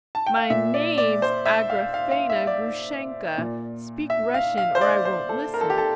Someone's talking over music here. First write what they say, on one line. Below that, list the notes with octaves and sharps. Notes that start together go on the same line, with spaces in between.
"My name's Agrafena, Grushenka, speak Russian or I won't listen!"
A5
G5
F5
A#2 E5
D5
D5
C5
E5
F5
F5
F5
E5
D5
A#2
E5
F5
F5
C5
D5
C5
A4
A#4
A4
G4
A4